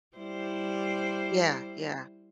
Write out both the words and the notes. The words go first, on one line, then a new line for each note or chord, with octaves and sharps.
Yeah, yeah.
G3 E4 C5